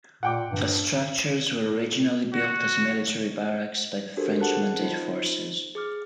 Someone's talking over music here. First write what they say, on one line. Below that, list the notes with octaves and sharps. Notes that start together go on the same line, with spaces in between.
The structures were originally built as military barracks by the French Mandate forces.
A#2 F#5 G5 D6
G2
F#4
D4 F#4 G4 A4 A#4 C5
G#4 F#5 A5 F#6
D#4 F4 C5
G#4 D6 F6